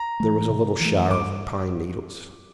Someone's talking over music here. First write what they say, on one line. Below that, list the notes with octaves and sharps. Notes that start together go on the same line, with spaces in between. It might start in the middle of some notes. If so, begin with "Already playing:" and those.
There was a little shower of pine needles.
Already playing: A#5
E3 A3
C3
E3 A3
G2 D6